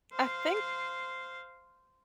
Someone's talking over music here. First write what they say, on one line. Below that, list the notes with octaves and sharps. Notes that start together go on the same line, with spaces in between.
I think
C5 F5